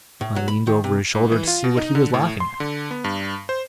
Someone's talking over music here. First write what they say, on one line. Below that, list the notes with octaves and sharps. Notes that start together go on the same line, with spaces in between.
I leaned over his shoulder to see what he was laughing at.
A2
F#3
B5
D#3
C3
G#2
E3
F4
B2
D#4
D3
A2
C6
D3
B3
G2
C5